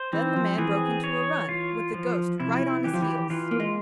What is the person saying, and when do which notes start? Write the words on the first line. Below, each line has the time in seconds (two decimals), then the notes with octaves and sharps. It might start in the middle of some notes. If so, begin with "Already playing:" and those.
Then the man broke into a run with the ghost right on his heels.
Already playing: C5
0.13 E3 C4
0.36 F3
0.58 E3 G#4
1.04 C#5
1.49 F4
1.94 F3
2.40 C3 E4
2.84 E3 G4
2.94 F3
3.02 E3
3.30 E3 F4
3.51 A#3
3.60 G#3